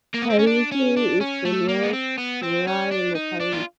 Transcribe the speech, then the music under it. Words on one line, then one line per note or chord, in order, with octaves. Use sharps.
Klyuchi is the nearest rural locality.
A#3
B3
C4
C#4
D4
C#4
D4
C#4
A3
A#3
B3
C4
B3
C4
C#4
D4
D#4
D4
F4